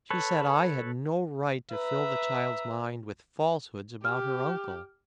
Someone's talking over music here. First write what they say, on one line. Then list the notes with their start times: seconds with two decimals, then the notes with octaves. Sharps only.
She said I had no right to fill the child's mind with falsehoods about her uncle.
0.10 A4 B4 C#5
1.72 B4 E5 A#5
4.05 G4 F6